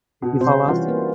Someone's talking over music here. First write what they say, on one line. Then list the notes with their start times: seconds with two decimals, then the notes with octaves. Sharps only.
You fall off?
0.22 B2
0.41 C3 C4 C5
0.68 E3 G3 C#4 F4 F#4 B4
0.88 A#3